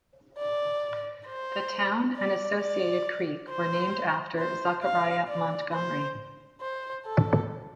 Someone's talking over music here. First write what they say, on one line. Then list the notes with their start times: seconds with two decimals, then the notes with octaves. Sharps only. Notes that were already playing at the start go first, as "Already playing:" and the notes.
The town and associated creek were named after Zachariah Montgomery.
0.38 D5
1.27 C5
2.16 D5
2.60 D5
3.50 C5
4.39 C5
4.83 F5
5.28 D5
5.73 C5
6.61 C5
7.06 A4